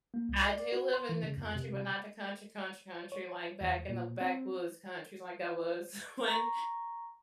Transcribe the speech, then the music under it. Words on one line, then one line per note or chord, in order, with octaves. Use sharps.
I do live in the country, but not the country, country, country, like, back in the backwoods countries like I was when
A#3
C2
D5
D5
F#4
C6
E3
C#3
F2
C3
C3
C#5
E2
A#2
C4
A#5 C#6